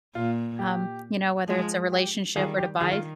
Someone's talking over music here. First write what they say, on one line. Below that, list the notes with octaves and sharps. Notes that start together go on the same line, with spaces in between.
Um, you know, whether it's a relationship or to buy
A#2 F4
G4
F3 G#3
G4
D#3 G3 F4 G#4
G4
D#3 F4 G#4
F4